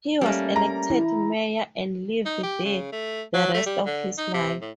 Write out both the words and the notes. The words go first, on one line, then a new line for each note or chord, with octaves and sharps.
He was elected mayor and lived there the rest of his life.
G3 A3 A#3 C#4
A#5
E4
D#4
G4
C#3
A3
F#3
A3
G3
D3
D#4
C3
A2